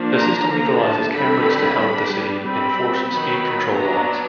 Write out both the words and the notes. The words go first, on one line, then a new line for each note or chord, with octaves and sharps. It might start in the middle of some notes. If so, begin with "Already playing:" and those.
The system utilizes cameras to help the city enforce speed control laws.
Already playing: F3 A#3 D4
A#5
D3 F3 A#3 D4 A#5
A5
D3 G3 C4 B5
G3 B3 D4
G3 C4 B5
D#3 F#3 B3 B5
F#3 B3 D4 A#5